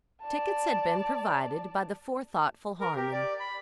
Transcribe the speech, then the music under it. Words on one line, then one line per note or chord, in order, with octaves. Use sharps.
Tickets had been provided by the forethoughtful Harmon.
D5 A5
A#4
G4
D5
B5